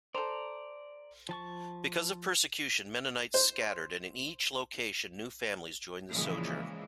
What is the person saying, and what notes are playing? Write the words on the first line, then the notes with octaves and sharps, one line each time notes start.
Because of persecution, Mennonites scattered and in each location new families joined the sojourn.
A4 C5 D5 A#5
F3 A5 C#6
C5
A#2 C#3 E3 F3 G#3